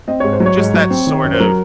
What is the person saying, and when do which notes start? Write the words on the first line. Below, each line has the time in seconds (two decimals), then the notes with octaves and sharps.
just that sort of
0.08 C4 D#5
0.20 G#2 C#5
0.33 C5
0.40 F#3
0.46 C#5
0.57 G#2
0.74 F#3
0.90 C4
1.07 D#3
1.23 F#2
1.33 C5
1.39 F#3 A#4